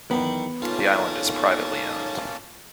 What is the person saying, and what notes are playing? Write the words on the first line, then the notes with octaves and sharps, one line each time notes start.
The island is privately owned.
E2 D#3 F#3 B3
A#3 C#4 D#4 F4 A4 C#5 A5